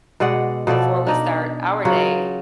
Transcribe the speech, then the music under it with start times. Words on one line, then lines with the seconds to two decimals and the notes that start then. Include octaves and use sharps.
before we start our day,
0.20 B2 G#3 D5 F#5
0.67 B2 F3 A4 D5
1.07 D4 D#4 D5
1.85 C#3 F#3 F4 F#4